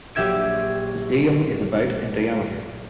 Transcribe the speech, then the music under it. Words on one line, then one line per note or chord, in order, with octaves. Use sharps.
The stadium is about in diameter.
A#1 F#3 G4 E5 G#6 D7